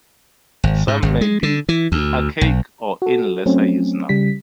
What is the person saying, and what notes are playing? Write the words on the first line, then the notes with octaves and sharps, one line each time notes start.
Some may be archaic or in lesser use now.
G#1
G#2
G#1
G#3
D3
E3
D2
B1
F#4 A4
F#3 A3 C4 C#4
C#3 G3 B6